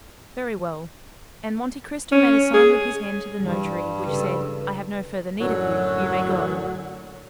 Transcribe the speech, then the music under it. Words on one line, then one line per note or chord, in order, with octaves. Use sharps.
"Very well;" and Monte Cristo made a sign with his hand to the notary, which said, "I have no further need of you; you may go."
C#4
G#4
G2 E3 G3
C#3 A4 B4
F#2 A2 D3 F#3 A4